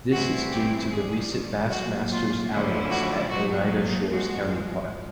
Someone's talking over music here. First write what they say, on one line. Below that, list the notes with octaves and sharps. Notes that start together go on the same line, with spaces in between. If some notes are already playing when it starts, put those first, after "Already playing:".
This is due to the recent Bass Masters outings at Oneida Shores County Park.
G2 E3 A3 C4 E4 F#4
G4
G2 D#3 G3 G#4
A#2 F#3 A#3 F#4
F4
D3 F3 A3 C#4 E4
F#4
A#2 F#3 A#3 D#4 F#4
G#2 F3 G#3 F#4